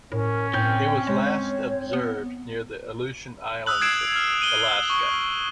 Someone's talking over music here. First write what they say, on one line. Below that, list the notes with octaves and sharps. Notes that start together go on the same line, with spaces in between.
It was last observed near the Aleutian Islands of Alaska.
A2 C#4 A#4
A2 C4 G5 G6
G#3 C#5
B3
D#6 E6 F#6 F#7
D#6 G#6 C7 D7 E7
F6
D#7 F#7 G7
C#6